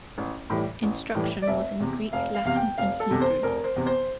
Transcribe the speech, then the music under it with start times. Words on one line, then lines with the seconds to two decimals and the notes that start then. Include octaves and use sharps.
Instruction was in Greek, Latin, and Hebrew.
0.18 A1
0.50 A2 E3 G3
0.83 A1
1.15 A2 E3 G3
1.42 D5
1.47 F1 E5
1.80 E2 C3
2.13 F1 F5
2.35 F5
2.45 E2 C3 F5
2.56 G5
2.78 F1 F5
3.00 A4
3.10 E2 C3
3.21 C5
3.43 F1 A#4
3.64 C5
3.76 E2 C3
3.86 C5